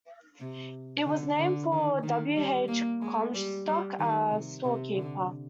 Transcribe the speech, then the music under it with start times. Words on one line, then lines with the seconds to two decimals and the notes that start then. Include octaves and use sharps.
It was named for W. H. Comstock, a storekeeper.
0.40 C3
1.06 D3
1.39 D3
1.72 D#3
2.03 D#3
2.36 G3
2.68 A#3
3.02 G#3
3.34 G3
3.67 G3
3.99 D#3
4.31 C3
4.64 C3
4.97 D3